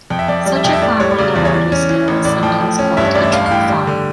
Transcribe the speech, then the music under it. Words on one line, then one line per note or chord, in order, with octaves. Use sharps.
Such a farm on a larger scale is sometimes called a truck farm.
F2 G5
E5
F2 D5
G3 D5
E5
F2 G5
E5
A2 D5
G3 C#5
C#5
C#3 D5
E2 D5
C#5
E3 D5
C#4
E3
A1
A2 D5
F3 G5
A2
C#4
G2 E5
C#5
A1 D5
E5
A1 F5
F5
A2 G5
G3
D3